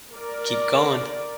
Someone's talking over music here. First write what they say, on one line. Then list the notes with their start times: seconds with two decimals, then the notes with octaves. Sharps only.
Keep going.
0.14 A#4 D5